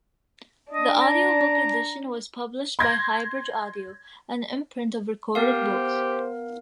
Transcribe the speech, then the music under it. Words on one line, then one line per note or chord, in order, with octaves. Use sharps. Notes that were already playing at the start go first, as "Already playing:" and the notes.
The audiobook edition was published by HighBridge Audio, an imprint of Recorded Books.
D4 D#5
A#5
C6 G6 G#6 A#6
B3 G4 A#4 F5
C5